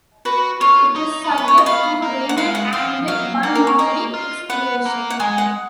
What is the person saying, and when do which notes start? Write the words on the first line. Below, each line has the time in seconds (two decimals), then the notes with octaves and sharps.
It is subject to renal and pulmonary excretion.
0.25 F#4 B4
0.60 F4 C#5
0.96 D#4
1.24 B3
1.31 C#4
1.38 B4
1.48 C#5
1.58 D#5
1.66 B3 F5
2.02 A#3
2.29 F#5
2.37 G#3 F5
2.55 F#5
2.73 F3 F5
3.08 F#3 F5
3.43 A#3 F#5
3.55 A#4
3.67 C#5
3.79 A#3 D#5
4.14 F4
4.50 B3 F#5
4.85 A#3
5.10 F#5
5.20 G#3 G#5
5.38 F#5